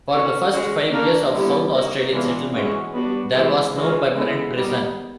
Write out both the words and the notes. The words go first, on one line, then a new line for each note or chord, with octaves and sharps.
For the first five years of South Australian settlement there was no permanent prison.
C#4 F#4 A4 C#5
G#3 C#4 F#4
A#3 D4 F#4 A#4 D5
D3 G3 B3 E4
A#3 D#4 F#4
E3 G#3 B3 D4 F4
E3 G#3 C#4 F#4
G3 B3 D4 F#4
E3 G#3 C4 E4 G#4
E3 G#3 C#4 F4
G#3 B3 E4 A4
D#3 G3 B3